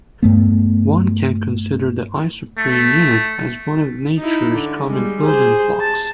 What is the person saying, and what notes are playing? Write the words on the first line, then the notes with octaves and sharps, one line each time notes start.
One can consider the isoprene unit as one of nature's common building blocks.
G2 A3 B3
A3
D#4 E4
D3
G3 G#3
G#4 C5
A5